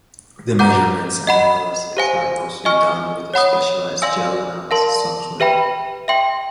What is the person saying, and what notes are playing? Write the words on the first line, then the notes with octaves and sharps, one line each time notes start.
The measurement and analysis are mostly done with a specialized gel analysis software.
F#5 A#5 D6 G6
D#5 F#5 B5
G4 C5 F5 G#5
D#5 G#5 C#6 F6
C#5 F#5 B5 D#6
D5 F5 G#5 C6 E6
A#4 D5 F5 A5 C6
G4 B4 E5 G5 B5
E5 G5 C6